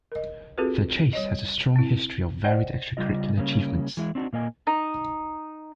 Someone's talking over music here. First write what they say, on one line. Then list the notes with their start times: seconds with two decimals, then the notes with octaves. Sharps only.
The Chase has a strong history of varied extra-curricular achievements.
0.12 A#4 D#5
0.58 C4 F4 F#4 G#4 A4 B4
1.13 G3 C#5 D#5
1.76 C4 E4
2.44 C5 D5 D#5 F#5 G5
2.97 C#3 G3 F4 D#5
3.37 C#3 G3 A#3 C#4
3.97 E3 G#3 E4
4.15 C4 D4 D#4 F#4
4.33 A#2 A#3 D#5 G#5
4.67 D#4